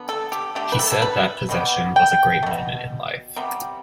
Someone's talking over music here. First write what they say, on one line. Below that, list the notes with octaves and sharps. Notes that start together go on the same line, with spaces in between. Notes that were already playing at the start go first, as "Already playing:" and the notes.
He said that possession was a great moment in life.
Already playing: D3 B3
A4
G4
D3 A3 G4
B4
A4
A4
B4
B2 G3 B3
G5
A3
B2
C3 G3 B3